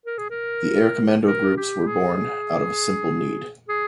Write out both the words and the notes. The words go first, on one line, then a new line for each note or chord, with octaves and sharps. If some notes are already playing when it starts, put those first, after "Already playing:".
The Air Commando Groups were born out of a simple need.
A#4
G#4
A#4
A#4
G4
G#4
G#4